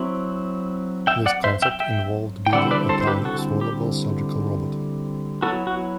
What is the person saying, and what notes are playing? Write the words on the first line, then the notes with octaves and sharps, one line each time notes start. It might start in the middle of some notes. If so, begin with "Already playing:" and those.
This concept involved building a tiny, swallowable surgical robot.
Already playing: F#3 C4 E4
E5 G5
D5 F#5
C5 E5
E5 G5
E5 G5
G5
D3 G3 C4 E4 D5 F#5
B4 D5
A4 C5
C5
G4 B4
F#4 A4
G4
F#3 B3 E4 F#4 A4
F#4